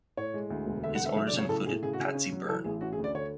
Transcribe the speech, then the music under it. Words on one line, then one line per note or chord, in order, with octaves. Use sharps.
His owners included Patsy Byrne.
A2 C#5
G#3
D2
E1
D3 E5
F#5
D3
E5
F#3 E5
D5
C#3
C#5
A2 A4
A2 G#4
C#3 G#4
F#4
C#3
G#4
C#4
F#3
E3 A4
A1 G#4
C#4 F#4
G#4
D2
D5
D3 C#5